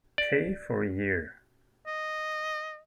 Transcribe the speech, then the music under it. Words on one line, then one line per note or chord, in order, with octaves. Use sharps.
Pei for a year.
D5
D#5